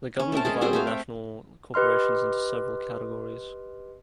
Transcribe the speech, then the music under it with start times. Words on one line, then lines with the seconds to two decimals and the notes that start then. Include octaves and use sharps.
The government divided the national-level corporations into several categories.
0.19 C#4
0.32 A3 C4 A#4 A5
0.45 G#3 C#4 G#4
0.61 G3 C4 F#4 G#4
0.73 A3 C5 F5
0.87 G5
1.74 G4 B4 D#5 C6 F6